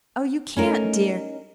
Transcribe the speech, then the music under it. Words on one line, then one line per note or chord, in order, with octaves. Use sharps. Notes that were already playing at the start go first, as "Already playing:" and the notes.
'Oh, you can't, dear!
A3 C#4 D#4 A#4